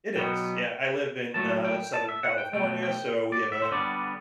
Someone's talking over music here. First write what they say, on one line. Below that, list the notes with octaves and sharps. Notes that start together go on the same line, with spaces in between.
It is. Yeah. I live in, uh, Southern California, so we have a
B2 F#3 B3 G5
A2 F#3 A3 A5
G5
A5
E5
F#5
G5
B2 A3 G5
G5
D5
E5
C5
D3 G3 B3 D5